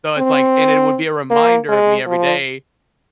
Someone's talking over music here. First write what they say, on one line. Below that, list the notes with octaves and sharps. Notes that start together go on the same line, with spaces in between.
So, it's, like and it would be a reminder of me every day
C4
A#3
G#3
F3